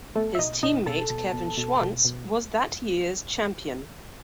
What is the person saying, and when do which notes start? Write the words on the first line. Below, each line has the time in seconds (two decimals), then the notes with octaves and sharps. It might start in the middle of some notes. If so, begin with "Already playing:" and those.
His team-mate Kevin Schwantz was that year's champion.
0.15 B2 A3 A4
0.35 E5
0.39 B2 D#4 D#5
0.63 B2 D#4 D#5
0.86 B2 A4 A5
1.10 B2
1.33 B2
1.57 B2
1.81 B2
2.05 B2